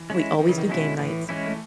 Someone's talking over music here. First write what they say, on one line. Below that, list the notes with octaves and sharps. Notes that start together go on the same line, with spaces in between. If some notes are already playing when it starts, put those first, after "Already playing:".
We always do game nights,
Already playing: E3
G#3 C#4 E4
D#3 E3
C#3
D#3
B2 G#3 C#4 E4
A2 E3
E3 G#3 C#4 E4
A3